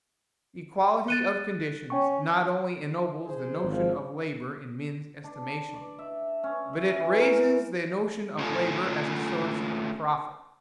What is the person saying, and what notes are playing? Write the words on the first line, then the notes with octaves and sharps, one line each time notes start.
Equality of conditions not only ennobles the notion of labor in men's estimation, but it raises the notion of labor as a source of profit.
F#6 A6 D#7 G7
C#4 C#5 G5 C#6
A#1 G#4 C5
G#1 F3
D4
D5
E5
C#4
E5
E3
A#4
A3 C#4 F4 A4 G#5